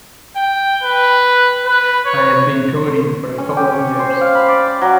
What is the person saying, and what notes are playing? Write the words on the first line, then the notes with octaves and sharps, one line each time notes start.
I have been coding for a couple of years.
G5
B4
B4
C#5
C#4
G4
C#5
C5
F5
B5
D5
D5
F#3